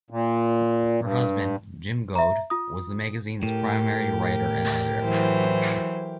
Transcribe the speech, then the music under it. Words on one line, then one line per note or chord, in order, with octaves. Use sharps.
Her husband, Jim Goad, was the magazine's primary writer and editor.
A#2
G2
E5 A#5
F4 D#6
A2 G4 A#4
E3 F#3 C5